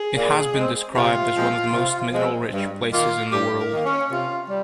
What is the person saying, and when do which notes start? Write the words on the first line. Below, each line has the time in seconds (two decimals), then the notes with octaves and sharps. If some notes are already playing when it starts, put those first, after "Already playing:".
It has been described as one of the most mineral-rich places in the world.
Already playing: G#4
0.16 A#2
0.54 G#3 C4
0.94 C3 F4
1.34 F3 G#3 C4
1.72 C3
2.12 F3 G#3 C4
2.51 G2
2.91 D#3 A#3 F4
3.30 G2 G4
3.57 A#4
3.70 D#3 A#3
3.84 C#4
4.09 C3 F4
4.48 G3